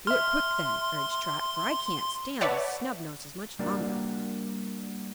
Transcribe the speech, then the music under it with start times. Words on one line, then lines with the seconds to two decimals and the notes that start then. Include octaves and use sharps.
"Do it quick, then," urged Trot, "for I can't stand those snubnoses much longer."
0.07 E5 C6 F6
2.41 B4 C#5 D5 E5 F#5 A5
3.59 G3 A#3 D4 F#4 A#4 D5